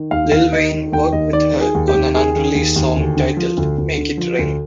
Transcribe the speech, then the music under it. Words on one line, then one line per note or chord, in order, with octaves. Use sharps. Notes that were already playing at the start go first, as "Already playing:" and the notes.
Lil Wayne worked with her on an unreleased song titled "Make It Rain".
Already playing: D#3
D#2 F5
D#2 F5
D#3 D#5
D#3
D#2 G5
D#2 D#5
D#3 D5
D#3
G#4
D#2
G4
D#2
D#3 G#4
D#3
D#2
D#2
D2
D3
F3
D2
D2
D3
F3
D2